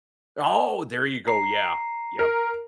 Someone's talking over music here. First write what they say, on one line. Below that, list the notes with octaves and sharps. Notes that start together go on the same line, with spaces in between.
Oh, there you go, yeah, yep.
A#5 C7
A#4